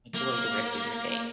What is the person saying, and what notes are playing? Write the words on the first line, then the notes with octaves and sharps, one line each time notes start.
enjoy the rest of your day.
A#3